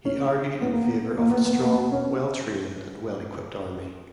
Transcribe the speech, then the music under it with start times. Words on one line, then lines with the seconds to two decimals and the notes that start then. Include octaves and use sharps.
He argued in favour of a strong, well-trained and well-equipped army.
0.05 C#4
0.61 B3
0.72 A#3
0.82 B3
1.17 A#3
1.31 B3
1.45 B3
1.59 A#3
1.73 B3
1.92 C#4